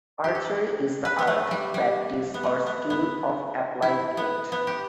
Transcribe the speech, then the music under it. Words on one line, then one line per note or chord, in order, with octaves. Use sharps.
Archery is the art, practice, or skill of applying it.
G4
A4
B4
B3
A3
G3
G3
B3
A3
B3
B3
E4
B3
B3
G4